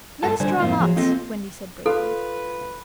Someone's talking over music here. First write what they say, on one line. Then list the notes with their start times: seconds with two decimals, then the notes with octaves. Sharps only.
"Let us draw lots," Wendy said bravely.
0.23 G2 A3 F4 A4 A#4 A5
0.40 D3 G3 C5 D5 G#5
0.60 F2 G#2 A#3 C4 D#4 F4
0.80 F3 F#3 G#4
0.97 A#3 C4 F4 A4 D#5
1.86 F4 A4 B4 F5